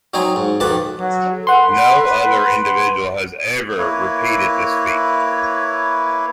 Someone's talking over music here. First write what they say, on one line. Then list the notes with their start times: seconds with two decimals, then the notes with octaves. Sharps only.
No other individual has ever repeated this feat.
0.14 F#3 C4 D#4 C5 G#5
0.36 G#2
0.60 F2 B2 D#3 B4 A5 D6
1.00 F#3
1.47 B4 F#5 C6
3.78 A#3 E4 B4 C#5